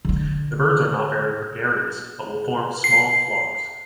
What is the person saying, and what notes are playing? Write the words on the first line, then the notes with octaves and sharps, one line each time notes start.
The birds are not very gregarious, but will form small flocks.
D3 D4
C7